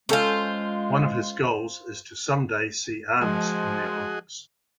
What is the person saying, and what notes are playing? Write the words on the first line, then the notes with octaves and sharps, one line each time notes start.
One of his goals is to someday see Arnis in the Olympics.
G#3 C#4 F4 A4 C5 G#5
F3 G#3 F#4 G#4 D#5